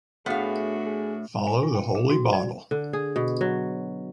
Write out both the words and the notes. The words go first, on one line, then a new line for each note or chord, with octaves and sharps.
Follow the holy bottle!
A2 B3 D4 F#4 G#4 F5
G#4
G#5
F4
G5
G#4
F#4
D5
D3
G#4
B2
F#3